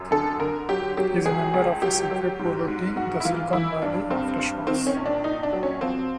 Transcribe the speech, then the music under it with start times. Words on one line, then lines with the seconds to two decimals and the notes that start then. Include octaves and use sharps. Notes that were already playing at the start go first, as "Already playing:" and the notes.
He is a member of a Segway Polo team, the "Silicon Valley Aftershocks".
Already playing: F#2
0.11 D3 A4
0.40 D3 A#4
0.69 F#3 G4
0.97 F#3 G4
1.25 C#2 G#4
1.54 C#2
1.82 F#3 G4
2.11 F#3
2.39 G#2
2.68 G#2
2.96 G#2 F#4
3.20 E4
3.25 E3 F4
3.53 E3 E4
3.82 G2 D4
4.10 G2 C4
4.39 G2
4.67 D#3 C4
4.87 C#4
4.96 A#1
5.06 D4
5.24 A#1 D#4
5.43 D4
5.53 F#3
5.63 C#4
5.81 F3 C4